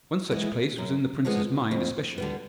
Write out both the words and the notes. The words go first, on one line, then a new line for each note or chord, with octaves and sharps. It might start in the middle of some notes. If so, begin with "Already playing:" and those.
One such place was in the prince's mind especially.
E3 G#3 B3 E4
F#2
D3 F3 G#3 B3
F2
D3 G3 B3